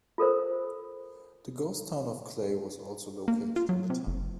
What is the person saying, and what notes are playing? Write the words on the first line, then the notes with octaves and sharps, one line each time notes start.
The ghost town of Clay was also located in the town.
F4 A4 A#4 C5
A#3
F4
F#3
C3
F#1